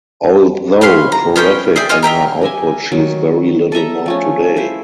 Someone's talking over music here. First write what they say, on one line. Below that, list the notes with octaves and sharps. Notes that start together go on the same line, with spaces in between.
Although prolific in her output she is very little known today.
B4 C#5 F5 C6
A#5
B3 C#4 C5 G5
G#4 D5 E5 G5
F4 C#5 D#5 G#5
D#5 E5 G5 A#5
G4 D#5 E5 G#5
D#3 F#3
A4 D#5 E5 A#5
F3 A3 C#4
E4 C5